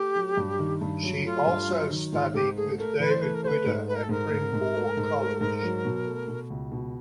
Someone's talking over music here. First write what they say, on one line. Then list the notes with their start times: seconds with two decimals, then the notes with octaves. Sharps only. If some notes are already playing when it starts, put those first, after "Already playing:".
She also studied with David Widder at Bryn Mawr College.
Already playing: A3 G4
0.16 F#3
0.37 G2
0.59 D#3
0.81 G2
1.03 F#3
1.24 A3 F4
1.46 G2
1.69 F#3
1.91 D#3
2.12 G#2 F4
2.34 G#2 G4
2.56 A3 G#4
2.78 A3 A#4
3.00 E3 B4
3.10 C5
3.21 A3 B4
3.34 A#4
3.44 A3 B4 C5
3.66 G#2
3.88 A3 B4
3.95 A#4
4.03 A4
4.09 G#2 A#4
4.31 G#2
4.53 G#2
4.75 A3
4.97 G#2
5.19 A3
5.41 G#2
5.63 F#3
5.85 B2
6.06 A3
6.28 B2
6.50 C#2
6.72 B2